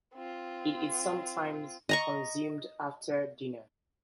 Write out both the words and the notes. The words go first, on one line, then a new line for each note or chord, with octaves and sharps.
It is sometimes consumed after dinner.
C4 F4
D#5 A#5 C#6